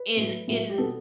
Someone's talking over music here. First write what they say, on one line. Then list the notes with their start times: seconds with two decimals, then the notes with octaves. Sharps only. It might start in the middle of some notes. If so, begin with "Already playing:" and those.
in in
Already playing: B4
0.17 A2 F#3 A3
0.48 A2 F#3 A3
0.70 G4
0.78 B2 G3 B3 A4